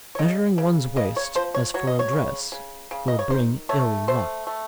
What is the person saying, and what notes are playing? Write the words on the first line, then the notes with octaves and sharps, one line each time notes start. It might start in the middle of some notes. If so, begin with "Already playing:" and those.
Measuring one's waist, as for a dress, will bring ill luck.
C#5
C#3 D#5
C#3
C#3 D#5
C#5
F3 C5
C#5
F#3 C#5
D#5
C#5
C#3
C#3
C#3
D#5
C#5
D#3 C5
A3 C#5
A3 C5
A3